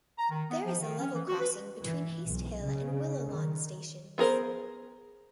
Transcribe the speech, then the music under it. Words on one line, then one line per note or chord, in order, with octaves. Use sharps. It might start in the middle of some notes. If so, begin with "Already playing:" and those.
There is a level crossing between Haste Hill and Willow Lawn stations.
A#5
D#3
B3
F3
D#3
C#4
E3
F#4
B4
E3
B1
C#3
D#3
B3 G#4 A#4 C5